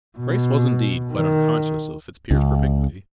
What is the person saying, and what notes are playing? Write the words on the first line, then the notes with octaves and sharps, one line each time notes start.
Grace was indeed quite unconscious of Fitzpiers's propinquity.
B2
D#3
C#2